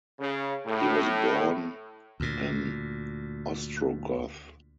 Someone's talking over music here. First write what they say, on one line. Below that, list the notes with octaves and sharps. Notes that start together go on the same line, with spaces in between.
He was born an Ostrogoth.
C#3
A2
D2 A#2